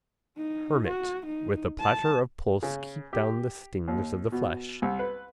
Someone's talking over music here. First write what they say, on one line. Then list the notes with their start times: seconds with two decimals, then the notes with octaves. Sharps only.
Hermit with a platter of pulse keep down the stings of the flesh.
0.37 D#4
0.87 F#4
1.26 D#4
1.80 A5
2.63 C#3
3.13 G4
3.88 D#2
4.32 B2
4.82 C2
4.99 B4